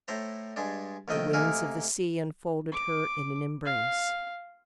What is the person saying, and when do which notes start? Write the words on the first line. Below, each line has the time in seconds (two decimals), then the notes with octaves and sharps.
The winds of the sea enfolded her in an embrace.
0.08 A2 A3 C5 A#5
0.56 G2 G#3 D4
1.08 A#1 D#3 A3 D#5 G5
1.33 C3 A3 A#3 D#4 G#4 A#4
2.72 D6
3.65 F5